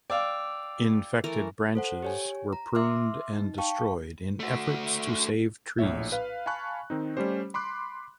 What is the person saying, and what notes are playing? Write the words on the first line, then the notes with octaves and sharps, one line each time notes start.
Infected branches were pruned and destroyed in efforts to save trees.
D5 F5 G5 D6 E6
E3 A3 A#4
A4 C5 F#5
G4 C#5 G#5
A#5
E5 C6 D6 E6 F6
D#4
F5 G5 A5 C#6
A3 F#4
A#1 A2 C#5 E5
B4 F5
F5 G#5 A5 B5 C#6 F#6
D#3 C4 D#4
G3 A3 C#4 G4 C5
B5 C6 D6 F#6